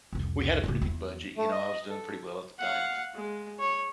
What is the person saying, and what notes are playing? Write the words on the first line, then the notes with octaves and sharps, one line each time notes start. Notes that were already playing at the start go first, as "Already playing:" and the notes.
we had a pretty big budget. You know, I was doing pretty well at the time.
C2 F2
C#2 A2
E2
A3
D#5
A4
F5 F#5
G#3
C#5